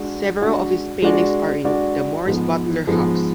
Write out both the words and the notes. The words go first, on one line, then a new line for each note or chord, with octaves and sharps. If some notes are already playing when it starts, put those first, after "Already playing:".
Several of his paintings are in the Morris-Butler House.
Already playing: G#3 D4 F#4 D5
G#3 D4 F#4 D5
G#3 D4 F#4 D5
G#3 D4 F#4 D5
G#2 F3 G#3 B3
G#2 F3 G#3 B3